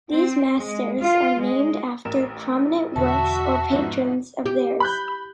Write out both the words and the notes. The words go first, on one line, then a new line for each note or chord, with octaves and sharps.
These masters are named after prominent works or patrons of theirs.
C4
G#3
F4
G#3
A1 A#4 E7
E2 B2 D3 F#4 E5 A5
G#2 B2 F3 F#5
G4
B5 F#6 G6